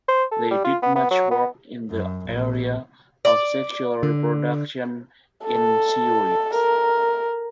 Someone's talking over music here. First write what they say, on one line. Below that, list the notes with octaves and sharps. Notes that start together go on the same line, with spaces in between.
They did much work in the area of sexual reproduction in seaweeds.
C5
A4
G3
F4
B3
B3
F#3
B3
F#2
A#1
D5
D3
A4
A#4